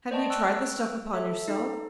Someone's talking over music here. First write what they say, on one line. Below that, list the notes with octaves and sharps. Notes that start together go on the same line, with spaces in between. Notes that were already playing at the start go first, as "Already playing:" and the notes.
"Have you tried the stuff upon yourself?"
C5 D5 D#5 G5 A5 C#6
G5 C#6 E6 F#6
A4 E5
D#4 A4